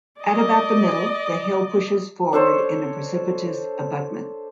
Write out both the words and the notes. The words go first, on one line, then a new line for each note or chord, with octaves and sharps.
At about the middle, the hill pushes forward in a precipitous abutment.
D5 D#5
D4 A4 C5 C#5